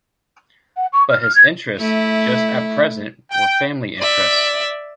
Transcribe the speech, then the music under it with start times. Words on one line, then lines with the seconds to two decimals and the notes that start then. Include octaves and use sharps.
But his interests, just at present, were family interests.
0.77 F#5
0.93 C#6
1.10 F6
1.22 F6
1.35 G#6
1.78 A3 E4
3.31 G5
3.98 D5 E5